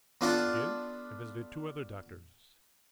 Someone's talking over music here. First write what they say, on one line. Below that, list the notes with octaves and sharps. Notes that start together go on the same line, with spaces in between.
He did, and visited two other doctors.
B3 D4 F4 A4 F#5